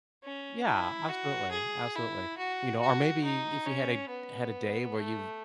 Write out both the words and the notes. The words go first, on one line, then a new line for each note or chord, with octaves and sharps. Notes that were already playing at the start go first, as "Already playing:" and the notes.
Yeah, absolutely, absolutely. You know, or maybe if you had a had a day where you've
C#4
E4
F#4
G#4
E4
F#4
F#4
D#4
C#4
B3
A3